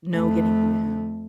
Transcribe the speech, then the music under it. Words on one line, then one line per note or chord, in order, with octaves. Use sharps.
no getting through to him,
F2 A3